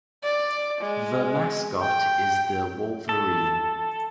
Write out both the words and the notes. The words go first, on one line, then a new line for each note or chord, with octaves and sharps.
The mascot is the Wolverine.
D5
G#3
G5
A4